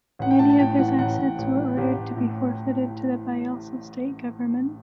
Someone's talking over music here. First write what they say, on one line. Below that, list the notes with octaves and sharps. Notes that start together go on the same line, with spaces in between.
Many of his assets were ordered to be forfeited to the Bayelsa state government.
A1 F#5
G5
A2 A5
A5
A2 G5
E3 F#5
A1 F#5
A1
A1
E3
A1 G4
A1
A2